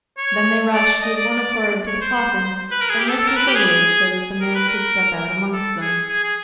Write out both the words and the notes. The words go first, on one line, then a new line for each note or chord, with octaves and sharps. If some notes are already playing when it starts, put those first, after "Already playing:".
Then they rushed with one accord to the coffin, and lifted the lid so that the man could step out amongst them.
C#5
D5
D#5
D5
C#5
C5
B4
A#4
G#4
G4
A4
A4
A#4
B4
G4
G#4
A#4
B4
A#4
A4
G#4
G#4
G#4